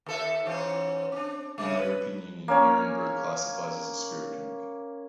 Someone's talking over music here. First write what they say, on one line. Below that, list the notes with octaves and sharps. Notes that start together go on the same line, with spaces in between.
In the European Union, Beerenburg classifies as a spirit drink.
D#2 A4 E5
G#2 E3 C#4
C4 D4
C#3 G#3
B4
A#3 C#4 C#5